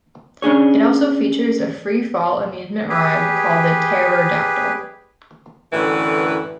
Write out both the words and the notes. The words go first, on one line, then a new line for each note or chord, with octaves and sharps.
It also features a free-fall amusement ride called the Terror-Dactyl.
C#4 D4 G#4 C#5
G4 G#4 B4
F#2 A2 D3 E3 B4